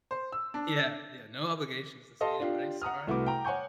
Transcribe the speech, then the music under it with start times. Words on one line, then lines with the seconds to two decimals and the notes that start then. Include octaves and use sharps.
Yeah, yeah. No obligations to see anybody, "Sorry,
0.11 C5
0.32 E6
0.54 D4
2.20 G4 A4 D#5 F5 A5 C6
2.40 D4 F4 G4
2.82 F#5 A#5 D#6 F6
3.07 C2 A3 E4 F#4 B4 D6
3.26 G5 A#5
3.45 C#5 F#5 G#5 C#6 G6